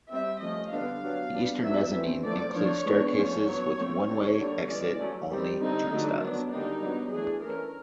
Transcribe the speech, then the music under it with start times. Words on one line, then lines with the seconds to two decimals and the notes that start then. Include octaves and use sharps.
The eastern mezzanine includes staircases with one-way exit-only turnstiles.
0.11 G3 C4 E5
0.41 F3 A3 C#4 D#5
0.72 D3 G3 B3 D4 F5
1.02 F#3 B3 D4
1.33 G3 B3 D4
1.63 F#3 B3 D4 E5
1.94 E3 A3 C4
2.24 D3 F3 A3 C4 D5
2.54 F3 A#3 D4 C#5
2.85 E3 G#3 B3 D4
3.15 F3 A3 C#4 C#5
3.46 F#3 B3 D4
3.77 F3 A3 C4
4.07 D3 G3 C4 C#5
4.38 D3 G3 A#3
4.68 E3 G#3 C#4 D5
4.99 F#3 A3 C#4
5.30 D#3 G3 C4
5.60 D3 G3 C4 D#4
5.90 D3 F#3 A3 D4
6.21 D#3 F#3 B3 D4
6.51 D3 G3 A#3 D4 D#4
6.82 F#3 B3 D4
7.12 E3 A3 D4 G#4
7.43 E3 A3 C#4 A#4